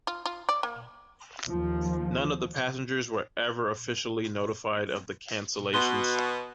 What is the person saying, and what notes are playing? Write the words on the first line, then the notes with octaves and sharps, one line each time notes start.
None of the passengers were ever officially notified of the cancellations.
F4
F4
D5
A#3
D#2 F3
B2 C6 G7